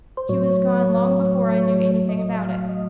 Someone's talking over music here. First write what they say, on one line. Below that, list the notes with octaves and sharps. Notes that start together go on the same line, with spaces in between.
She was gone long before I knew any thing about it.
C5
A2 F#3 C#5
D#5
F5
D#5